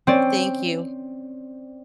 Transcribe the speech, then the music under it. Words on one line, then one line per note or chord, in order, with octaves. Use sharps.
Thank you,
C4 C#4 D5